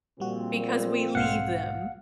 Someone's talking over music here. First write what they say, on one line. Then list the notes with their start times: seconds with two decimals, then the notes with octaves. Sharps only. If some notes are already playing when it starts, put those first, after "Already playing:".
Because we leave them.
0.20 A#2 F3 G3 G#3 C4 F#4
1.15 B1 G#2 B2 F5 F#5